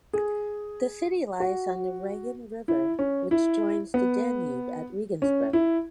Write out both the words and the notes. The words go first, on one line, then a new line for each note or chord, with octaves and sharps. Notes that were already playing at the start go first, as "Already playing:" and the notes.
The city lies on the Regen River, which joins the Danube at Regensburg.
G#4
F#4
E4
C#4
E4
B3
C#4
E4